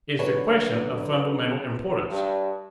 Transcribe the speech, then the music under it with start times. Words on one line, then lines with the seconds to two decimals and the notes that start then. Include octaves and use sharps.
Is the question of fundamental importance?
0.19 D3 F#3 B4 C#5
2.09 G2